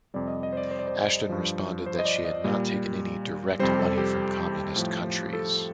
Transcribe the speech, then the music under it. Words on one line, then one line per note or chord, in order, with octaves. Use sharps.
Ashton responded that she had not taken any "direct money from communist countries".
F2 C3 G3 D5
D#5
D#5
C5
D5
C5
D5
C5
G2 F3
C5
D#5
D5
D#5
A#2 G3
F2 C3 G3 C5
G4
A4
G4
A2 F3
A4